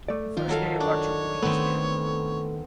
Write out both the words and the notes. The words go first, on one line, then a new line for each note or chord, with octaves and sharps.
The first day of our jubilee is death.
A3 D5
D#3 D#4 F4 A#4
F#3 A4 F5
D4 C#5
D#3 A3 B3 C4 A4